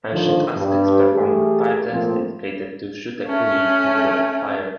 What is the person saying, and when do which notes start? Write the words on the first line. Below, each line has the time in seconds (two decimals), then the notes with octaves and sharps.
Ancient Aztecs performed a fire dance dedicated to Xiuhtecuhtli, the god of fire.
0.11 D3 D#3 F3
0.55 G2
1.13 E3 A3 G4 G#4
1.91 A2 F3 A#3 C4
3.27 A3 C#4